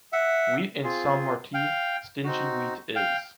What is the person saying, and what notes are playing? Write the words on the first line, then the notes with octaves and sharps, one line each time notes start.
Wheat in Saint Martí, stingy wheat is.
E5 F#5
C4 F4 G#4
F5 G5
C4 D#4 F#4
F5 G5